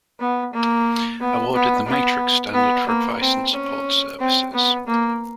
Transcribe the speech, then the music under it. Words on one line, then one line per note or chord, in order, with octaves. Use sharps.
Awarded the Matrix Standard for advice and support services.
B3
A#3
B3
B3
B3
B3
A#3
C4
C#4
C4
B3
A#3